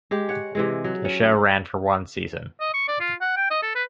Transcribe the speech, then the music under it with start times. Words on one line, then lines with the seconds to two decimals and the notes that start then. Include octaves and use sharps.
The show ran for one season.
0.11 G#3 G4
0.29 C#5 F#5
0.55 C3 E3 G#3
0.84 F#3
1.05 C#4
2.61 D#5
2.74 C#6
2.88 D5
3.00 F4
3.21 F#5
3.37 G5
3.51 D#5
3.63 A4
3.75 B4